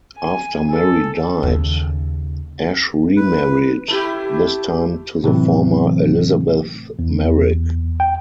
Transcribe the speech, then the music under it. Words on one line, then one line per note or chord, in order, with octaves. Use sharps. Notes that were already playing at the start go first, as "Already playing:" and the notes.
After Mary died, Ashe remarried, this time to the former Elizabeth Merrik.
G#5
A4
D#2 C#3
B4
A3 E4 G4
A2 C3 E3 F#3 A3 C4
E2
G5